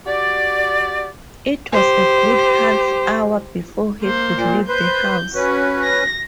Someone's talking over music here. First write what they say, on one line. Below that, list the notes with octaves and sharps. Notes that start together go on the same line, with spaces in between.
It was a good half-hour before he could leave the House.
F#4 G4 D5
G4 C5
A#3 C5
A#2
B4 C5 G6
C#4 F#4 B4
A#6